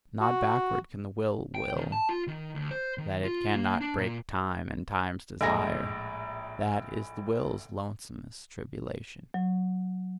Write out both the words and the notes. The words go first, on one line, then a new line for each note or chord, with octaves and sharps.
Not backward can the Will will; that it cannot break time and time's desire--that is the Will's lonesomest tribulation.
F#4
G5
D#3
A5
F4
D#3
D2
C5
D#3
F4
A#3
D4
A#2
A#1 A2 G#3 G#5 A#5 A#6
F#3